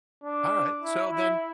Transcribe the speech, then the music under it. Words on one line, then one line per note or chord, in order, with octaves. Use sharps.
All right, so then,
D4
E4
E4